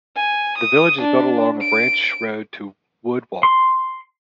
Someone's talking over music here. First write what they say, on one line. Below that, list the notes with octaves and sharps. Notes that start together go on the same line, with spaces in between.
The village is built along a branch road to Wood Walton.
G#5
D#6
D4
D7
C6